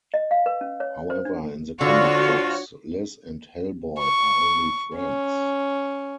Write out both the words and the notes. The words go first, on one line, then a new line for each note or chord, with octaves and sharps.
However, in the comic books Liz and Hellboy are only friends.
D#5
F5
B4
C#4
C#5
C5
D4
D3 F3 F4 F#4 C#5
C#6
C#4